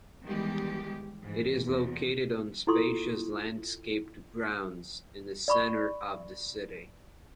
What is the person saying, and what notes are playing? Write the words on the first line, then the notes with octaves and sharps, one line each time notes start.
It is located on spacious landscaped grounds in the center of the city.
D#3 E3 G3 G#3 B3 G4
G#2 E3
E2
E4 F4 A4 C6 C#6 D#6
D5 B5 C#6